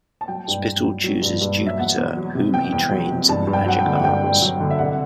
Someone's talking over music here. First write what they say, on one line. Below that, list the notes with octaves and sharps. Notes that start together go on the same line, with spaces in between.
Spittle chooses Jupiter, whom he trains in the magic arts.
A5
F#3 G5
G2
G2
F#3
F#3
G2
G2
F#3
E5
E2 F#5
E2
F#3
C3
E2 G5
E2
F#3
C3
G2 A5
G2
G5
F#3 F#5
G5
D3
F#5
G2 G5
G2
F#3
D3
E5
C2 F#5